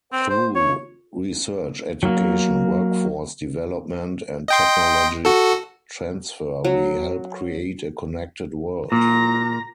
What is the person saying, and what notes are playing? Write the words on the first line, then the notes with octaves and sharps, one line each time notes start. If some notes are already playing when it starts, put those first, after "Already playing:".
Through research, education, workforce development and technology transfer, we help create a connected world.
C4
C5
C#5
F#3 A#3
D#5 G5 C6
F#4 A4
F#3
A#2 A#5